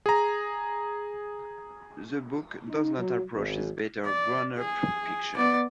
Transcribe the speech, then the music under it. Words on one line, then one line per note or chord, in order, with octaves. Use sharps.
The book does not approach his better grownup fiction.
G#4 A#5
D#4
F#3
G#1
D5
G#4
B3 D5